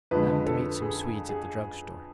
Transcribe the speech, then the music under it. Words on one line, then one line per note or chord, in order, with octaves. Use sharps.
I'm to meet some Swedes at the drug-store.
F2 D3 G#3 B4
A4
G#4
G#4